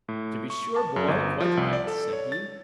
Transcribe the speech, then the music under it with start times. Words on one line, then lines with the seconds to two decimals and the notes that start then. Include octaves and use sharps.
"To be sure, boy; quite right," said he.
0.08 A2
0.50 C#6
0.76 A5
0.96 F#2
1.08 G1
1.40 F3
1.57 C2
1.73 D5
1.87 A4
2.13 C#5
2.32 A6